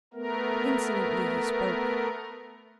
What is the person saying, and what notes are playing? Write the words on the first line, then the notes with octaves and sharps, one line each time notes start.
Insolently he spoke.
A3 B3 A#4